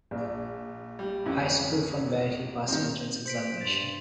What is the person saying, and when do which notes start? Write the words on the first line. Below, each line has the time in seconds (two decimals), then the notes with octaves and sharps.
High School from where he passed Entrance examination.
0.11 A#1
0.99 G3
1.26 A1 F2 E4
2.68 D#3 C4
3.26 C5 B6 D7
3.61 G2 C6 A6